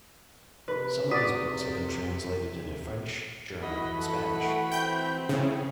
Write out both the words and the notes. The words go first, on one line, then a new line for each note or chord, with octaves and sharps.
Some of his books have been translated into French, German and Spanish.
C3 B4
F#4 D5 D#6 B6
E3 F#4 D#5 B5
A4
A3 F#5
C4 G5 G6
C#3 E4